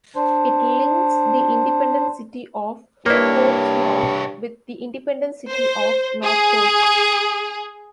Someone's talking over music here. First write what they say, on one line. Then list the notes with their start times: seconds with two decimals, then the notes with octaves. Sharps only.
It links the independent City of Portsmouth with the independent City of Norfolk.
0.16 D4 C5
3.06 C2 G2 A#3 E4 B4 C#5 D5
5.50 C5
6.24 G#4